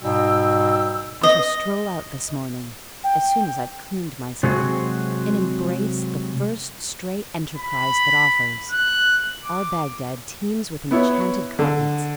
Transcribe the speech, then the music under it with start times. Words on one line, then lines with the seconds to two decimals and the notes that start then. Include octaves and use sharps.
I shall stroll out this morning, as soon as I've "cleaned myself," and embrace the first stray enterprise that offers. Our Bagdad teems with enchanted carpets.
0.02 G#2 B2 G3 G5 E6
1.23 D#5
3.04 G5
4.43 C3 F#3 G#3 C4 F#4 G#4
7.57 B5
8.72 F#6
9.45 D6
10.91 B3 E4 C#5
11.59 D3